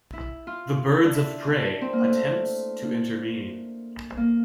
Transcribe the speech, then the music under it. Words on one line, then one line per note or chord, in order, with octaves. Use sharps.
The Birds of Prey attempt to intervene.
E4
F4
D4
E4
D4
C4
A#3
A3
A#3
A#3